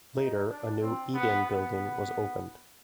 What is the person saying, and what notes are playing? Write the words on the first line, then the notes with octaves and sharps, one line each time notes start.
Later, a new eat-in building was opened.
D#4
D4
C4
B3
B3